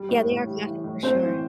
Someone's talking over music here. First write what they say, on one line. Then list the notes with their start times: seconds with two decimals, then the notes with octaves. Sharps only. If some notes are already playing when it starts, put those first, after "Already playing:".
Yeah, they are classic for sure.
Already playing: G3
0.09 A2
0.28 A2
0.47 G3
0.66 E3
0.84 A2
1.03 A2 C4 C5
1.23 E3